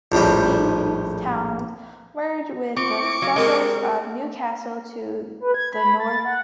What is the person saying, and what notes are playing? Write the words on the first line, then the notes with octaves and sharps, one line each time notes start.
These towns merge with the suburbs of Newcastle to the north.
A#1 F2 A2 G3
C4 F4 C#6 D6
E4
F#3 F5
G#3 C4 G4 A#4
B4
G#6
B5
A6
F#5